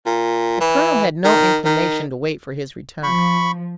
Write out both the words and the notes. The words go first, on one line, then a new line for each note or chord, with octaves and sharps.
The colonel had no inclination to wait for his return.
A#2
E3
D#3
D#3
F3 B5 C#6